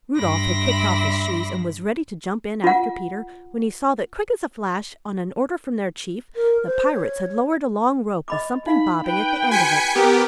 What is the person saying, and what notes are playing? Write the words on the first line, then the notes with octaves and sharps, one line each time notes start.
Rudolf had kicked off his shoes and was ready to jump in after Peter, when he saw that quick as a flash, on an order from their Chief, the pirates had lowered a long rope with something bobbing at the end of it.
G2 E5 B5 C6 D6 A#6
F4 F#5
A#4
C5
C#5
D#5 B5 D6
D#4 F5 B5
B4 G5
F#4 G#5 B6 C#7
B3 G4 A#4